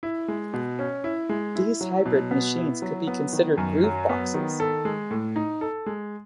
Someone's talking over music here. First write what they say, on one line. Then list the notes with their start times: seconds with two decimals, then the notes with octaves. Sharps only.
These hybrid machines could be considered 'grooveboxes'.
0.03 E4
0.28 G#3
0.53 B2
0.79 C#4
1.04 E4
1.29 G#3
1.55 E4
1.81 F#3
2.06 B2
2.31 B3
2.56 E4
2.82 F#3
3.07 B3
3.33 D#3
3.58 F#2
3.84 F#3
4.09 B3
4.34 D#3
4.60 A4
4.85 G#3
5.11 A2
5.36 D#4
5.61 A4
5.86 G#3